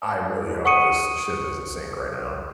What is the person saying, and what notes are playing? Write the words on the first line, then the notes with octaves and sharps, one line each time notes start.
"I really hope this ship doesn't sink right now."
F#5 C#6 D#6 C#7 D#7